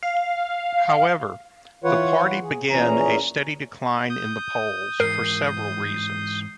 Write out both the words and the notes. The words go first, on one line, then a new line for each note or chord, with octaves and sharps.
However, the party began a steady decline in the polls for several reasons.
F5
E3 F4 B4 C#5 F#5
G#4
A#2 E3 C#4 G#4 A#5
D#6 G6
G#2 E3 A#4 C7